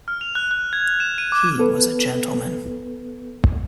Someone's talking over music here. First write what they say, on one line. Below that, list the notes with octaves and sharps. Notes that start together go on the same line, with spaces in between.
He was a gentleman.
F6
F7
F#6
F#6
G#6
E7
D#7
D6
B3 A4 B4